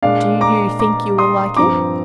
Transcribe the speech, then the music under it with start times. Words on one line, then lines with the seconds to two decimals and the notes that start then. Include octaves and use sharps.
"Do you think you will like it?"
0.02 A#2 G#3 D4 D5 F5
0.41 A#5 D6
0.79 A#5 D6
1.18 C6 D#6
1.57 G2 F3 C4 A#5 D6